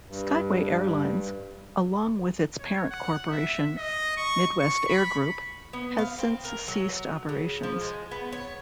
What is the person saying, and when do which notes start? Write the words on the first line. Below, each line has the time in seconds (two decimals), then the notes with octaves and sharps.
Skyway Airlines, along with its parent corporation, Midwest Air Group, has since ceased operations.
0.07 G2
2.60 C#5
2.91 F#5
3.30 E5
3.78 D#5
4.17 C#6
4.60 C#6
4.88 B5
5.73 B3
5.99 F5
6.19 C4
6.45 A#4
6.68 F#3
7.29 C#3
7.63 F3
7.81 G#3
8.11 B3
8.32 C#5